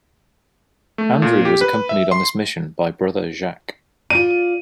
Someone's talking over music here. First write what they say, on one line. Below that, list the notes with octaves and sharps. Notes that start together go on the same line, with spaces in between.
Andrew was accompanied on this mission by brother Jacques.
A3
A#2
G4
B4
E5
C6
F4 D5 D#7